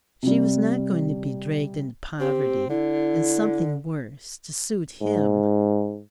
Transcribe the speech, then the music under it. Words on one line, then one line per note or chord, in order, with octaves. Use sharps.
She was not going to be dragged into poverty and something worse to suit him.
C3 G3
C4 G4
D3 E4
G#2